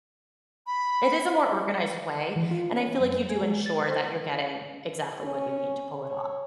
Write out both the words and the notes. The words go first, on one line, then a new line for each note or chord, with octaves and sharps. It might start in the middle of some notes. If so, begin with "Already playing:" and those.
It is a more organized way, and I feel like you do ensure that you're getting exactly what you need to pull it off.
B5
E3
F4
C#4
F#2
G#5
G#3
A6
C5
C#4
C#5